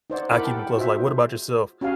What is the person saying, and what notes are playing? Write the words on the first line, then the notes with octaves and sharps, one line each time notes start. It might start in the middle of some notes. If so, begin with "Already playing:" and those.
I keep 'em close, like What about yourself?
D#4 C5 D5 F#5
E4 A#4 F#5 A5 B5 D6
G4 G5 A5
D#4 F4 F#4 G#4 C5 E5
C#4 F#4 G4 F5 G#5